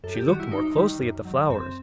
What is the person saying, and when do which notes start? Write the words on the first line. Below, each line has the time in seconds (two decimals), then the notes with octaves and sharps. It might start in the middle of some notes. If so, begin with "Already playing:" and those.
She looked more closely at the flowers.
0.04 F#2 A4
0.15 G4
0.28 D#3 G3 F#4
0.40 E4
0.51 F#2 D#4
0.77 D#3 G3
1.01 F#2
1.25 D#3 F#3
1.50 F#2 C4